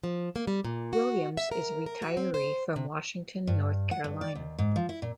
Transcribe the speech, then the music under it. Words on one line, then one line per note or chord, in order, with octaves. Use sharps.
Williams is a retiree from Washington, North Carolina.
F3
A#3
G3
A#2
F#4
E5
A#4
A#4
F#4
C4
C5
C3
G2
F#5
G2
D5
D#2
G#2
F3
E4
A#2